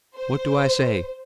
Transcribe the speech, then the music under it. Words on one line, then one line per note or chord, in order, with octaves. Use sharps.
What do I say?
C5